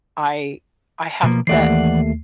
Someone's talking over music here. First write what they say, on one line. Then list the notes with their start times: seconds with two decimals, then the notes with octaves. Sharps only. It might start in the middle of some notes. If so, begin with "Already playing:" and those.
I I have that
1.23 B2 F3 A#3
1.47 D#2 E3 A3 D5 F#5 C7